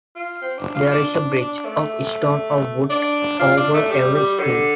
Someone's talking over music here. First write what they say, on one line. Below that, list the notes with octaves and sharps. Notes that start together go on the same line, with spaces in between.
There is a bridge of stone or wood over every stream.
F4
C4
D4
F4
D4
D4
A3
D4
F4
D4
A3
G3
G3
D3